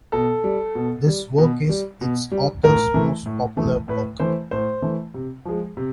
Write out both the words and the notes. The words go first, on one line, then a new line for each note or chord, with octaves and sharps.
This work is its author´s most popular work.
B2 A4
G3
B2
G3
B2
G3
B2
G3
A2 A#4
E3 A3
A2
E3 A3
A2 B4
E3 A3 C5
A2 C5
E3 A3
C3
F3 G#3
C3